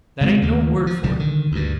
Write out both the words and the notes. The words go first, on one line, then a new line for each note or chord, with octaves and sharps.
'That ain't no word for it.
C#3 G#3 C4
D#2 C#3 A3 A#3
F3
B1 A#2 D3 G3
D3 D#3
D2 G2